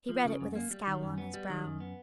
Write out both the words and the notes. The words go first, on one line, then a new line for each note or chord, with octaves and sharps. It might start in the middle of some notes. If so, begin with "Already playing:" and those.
He read it with a scowl on his brow.
F3
C#3
F#2
A#3
G3
D#3
F#2
B3
G3
D#3
F#2
B3